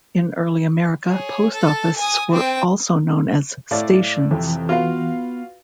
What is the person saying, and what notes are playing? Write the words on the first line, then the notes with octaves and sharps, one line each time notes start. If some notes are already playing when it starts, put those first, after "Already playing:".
In early America, post offices were also known as "stations".
G#4 C#5
A4 A5
G#5 D#6
C4 G5
A2 D5 F5
F2 C3 E3
B3 F4 F#4 B4 F5